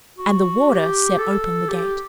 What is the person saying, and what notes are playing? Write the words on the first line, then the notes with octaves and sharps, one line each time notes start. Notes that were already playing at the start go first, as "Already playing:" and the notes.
And the Warder set open the gate.
F#4
G4
A4
G4